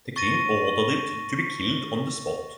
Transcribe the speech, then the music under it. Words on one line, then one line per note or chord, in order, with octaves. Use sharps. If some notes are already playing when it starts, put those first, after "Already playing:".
The king ordered it to be killed on the spot.
C#6 A6 A#6 D#7